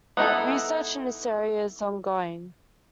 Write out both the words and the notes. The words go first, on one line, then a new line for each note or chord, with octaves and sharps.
Research in this area is ongoing.
B3 D#4 E4 A4